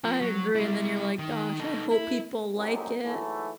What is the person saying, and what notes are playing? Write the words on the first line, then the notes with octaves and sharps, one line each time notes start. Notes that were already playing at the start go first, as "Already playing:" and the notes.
I agree, and then you're like, "Gosh, I hope people like it."
F3
F#3
G3 E4
D#3
D#4 A4
E4
C2 F#2 C3 A3 D#4
G#2 E3 F#3 A3